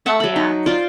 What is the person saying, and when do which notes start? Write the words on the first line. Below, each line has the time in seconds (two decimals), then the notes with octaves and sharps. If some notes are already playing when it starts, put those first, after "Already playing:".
Oh, yes.
0.06 E5 F#5 A5
0.20 F#3 B5
0.36 D#4
0.66 F4 C5 D5